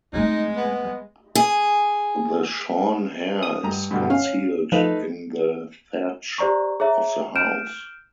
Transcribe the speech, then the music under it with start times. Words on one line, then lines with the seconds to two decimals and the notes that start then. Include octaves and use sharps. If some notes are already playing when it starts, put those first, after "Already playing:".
The shorn hair is concealed in the thatch of the house.
0.13 G#3 A3 C4 D#4
0.56 B3
1.35 G#4
3.43 D#6
3.63 G2 A#5
3.91 G2 B2 D3
4.10 C#4 F5
4.72 F3 A3 D#4 B4
6.38 G4 C5 D5 A#5 C#6
6.80 G#4 C#5 E5 A#5
7.36 F6 G6 D7 E7